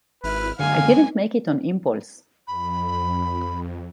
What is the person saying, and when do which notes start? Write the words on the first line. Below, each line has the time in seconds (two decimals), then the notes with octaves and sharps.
I didn't make it on impulse.
0.24 G#1 E4 B4 F6
0.59 F#2 D3 G#3 A#3 F5 G#5
2.47 F2 B5